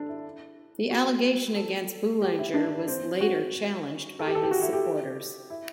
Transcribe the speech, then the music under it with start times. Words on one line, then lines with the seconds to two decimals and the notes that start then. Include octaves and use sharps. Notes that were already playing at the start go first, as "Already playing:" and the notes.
The allegation against Boulanger was later challenged by his supporters.
Already playing: D4 A4
0.09 E4
0.91 F#4
1.56 A4
2.22 G4
2.39 E4
2.54 D4
2.88 C4
3.21 F#4
4.19 A4
4.27 G4
4.35 A4
4.43 G4
4.51 F#4
4.62 E4
4.73 G4
5.50 E4